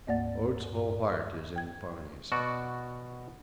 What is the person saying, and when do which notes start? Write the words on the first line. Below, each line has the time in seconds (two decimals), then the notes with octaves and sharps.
Oates' whole heart is in the ponies.
0.07 D2 G#2 A#3 D5 F#5 A6
0.63 G2
1.56 G5 G#6
2.32 B2 F#4 D5